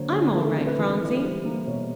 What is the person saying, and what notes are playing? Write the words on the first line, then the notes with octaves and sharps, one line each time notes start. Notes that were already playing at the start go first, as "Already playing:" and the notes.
I'm all right, Phronsie.
Already playing: D3 F#3 A#3 C5 C#5
D3
A3 A#4
A4
C4 A4
B4
E3
E3
G3 C5
A#3
B2 C#5